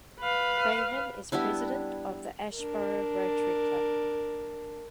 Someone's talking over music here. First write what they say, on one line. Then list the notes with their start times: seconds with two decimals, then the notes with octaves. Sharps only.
Craven is President of the Asheboro Rotary Club.
0.19 B4 F5
1.32 G3 B3 D4 E4
2.55 D4 A#4